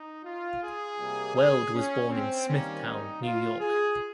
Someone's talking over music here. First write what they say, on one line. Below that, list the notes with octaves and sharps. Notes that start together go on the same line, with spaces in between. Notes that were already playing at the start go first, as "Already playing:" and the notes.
Weld was born in Smithtown, New York.
Already playing: D#4
F4
G#4
C3 G3 A#3
G#4
C#4
C4
D#3 G3 A#3 C#4
D#4
F4
G#4